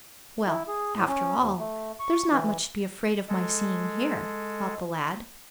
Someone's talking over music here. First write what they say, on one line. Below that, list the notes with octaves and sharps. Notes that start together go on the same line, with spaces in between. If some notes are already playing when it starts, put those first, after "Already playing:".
Well, after all, there's not much to be afraid of my seeing here, thought the lad.
E4
G#4
A2
C#4
D#2
A3
C#6
E3
G#3 A4